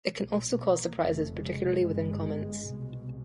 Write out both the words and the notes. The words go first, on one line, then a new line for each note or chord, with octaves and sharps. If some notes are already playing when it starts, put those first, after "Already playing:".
It can also cause surprises, particularly within comments.
B1 A#2
A#3
F1 F2 C#3 A3
G#3
G1 G2
C2 B2